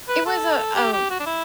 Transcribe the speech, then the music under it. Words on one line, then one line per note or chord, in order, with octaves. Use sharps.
It was a a
B4
A4
G4
G4
F#4
D4
E4